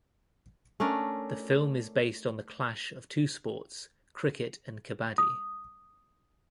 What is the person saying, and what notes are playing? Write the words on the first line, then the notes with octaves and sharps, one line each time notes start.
The film is based on the clash of two sports cricket and kabaddi.
A3 C#4 D4 A#4
D#6